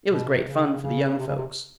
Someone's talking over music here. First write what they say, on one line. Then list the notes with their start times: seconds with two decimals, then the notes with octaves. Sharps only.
It was great fun for the young folks.
0.10 B2
0.28 C3
0.46 C#3
0.82 C#3
1.18 C3
1.27 C#3
1.36 C3